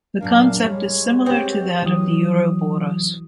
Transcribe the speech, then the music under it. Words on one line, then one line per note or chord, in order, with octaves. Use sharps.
The concept is similar to that of the Ouroboros.
E2 A#2 F#3 D4 A#4 F5
G3 G#3 C#5
C4 G4 B4 F#5
E3 F#3 D#6